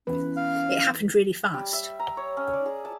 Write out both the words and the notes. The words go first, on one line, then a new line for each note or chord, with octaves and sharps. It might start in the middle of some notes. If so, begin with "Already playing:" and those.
It happened really fast.
E3 B3 C#4 B4
F5
G3
E5
A#5
C#5
C#4
D5
G#4
A5